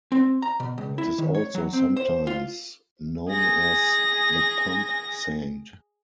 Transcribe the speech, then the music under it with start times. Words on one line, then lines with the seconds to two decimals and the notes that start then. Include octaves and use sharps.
It is also sometimes known as the Pumpsaint.
0.12 C4
0.42 A#5
0.60 B2
0.78 C#2
0.98 E4
1.18 D#3
1.35 C#5
1.55 F#3
1.73 C4
1.97 C5
2.27 F4
3.30 G#4 A#6